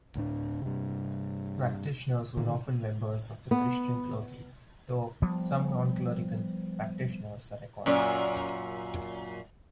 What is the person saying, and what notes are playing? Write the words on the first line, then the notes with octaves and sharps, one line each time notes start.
Practitioners were often members of the Christian clergy, though some nonclerical practitioners are recorded.
D2 A2 D4
G2 C3
A2 D3 D#3
B3
F3 G3 B3
F#2 A#2